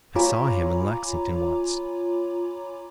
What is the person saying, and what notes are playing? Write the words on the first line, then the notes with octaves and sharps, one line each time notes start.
I saw him in Lexington once.
F4 C#5 G#5 A#5 B5 D6